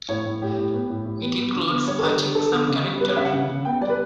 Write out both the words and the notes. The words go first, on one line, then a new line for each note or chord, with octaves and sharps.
It includes a checksum character.
A2 C#5
A2
A2 G4
A2
B3
A2
A2
B3
B3
D3
B3
G3 C#5
A4
D3 B4
D3
D3 A4
B3
C#3
G3
G3 B4
C#5
C#3 E5
F#5
C#3
C#3
B3 G5
G3 D5
B4